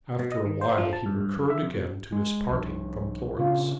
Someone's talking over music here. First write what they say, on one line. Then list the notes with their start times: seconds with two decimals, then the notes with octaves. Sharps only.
After a while he recurred again to his parting from Florence.
0.19 B2
0.32 D#5
0.45 D#3
0.61 C5
0.78 F3
0.93 A5
1.06 G2
1.21 G2
1.37 F#2
1.50 E5
1.62 F2
1.74 B2
2.12 G#3
2.50 C2 F3
3.38 A#2 C#3 D4 F4